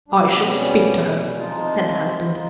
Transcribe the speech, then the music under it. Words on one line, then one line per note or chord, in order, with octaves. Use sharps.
"I shall speak to her," said the husband.
B2 G3 D4
C#4
C4
B3 C#4
C3 F3 G#3 D#4 F4
F#4
F4
E4
D#4 F4